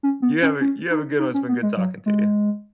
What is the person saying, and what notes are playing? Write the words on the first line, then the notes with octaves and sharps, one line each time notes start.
you have a you have a good one, it's been good talking to you.
C#4
B3
C#4
C#4
D#4
D#4
C#4
B3
G#3
F#3
G#3